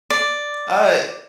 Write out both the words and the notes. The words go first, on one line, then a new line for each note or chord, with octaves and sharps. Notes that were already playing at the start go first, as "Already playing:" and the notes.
uh, it
D5